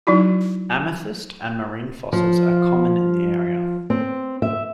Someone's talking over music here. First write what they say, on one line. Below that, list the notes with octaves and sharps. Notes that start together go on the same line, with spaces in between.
Amethyst and marine fossils are common in the area.
F#3 D#4 E4 F#4
F3
C4
E5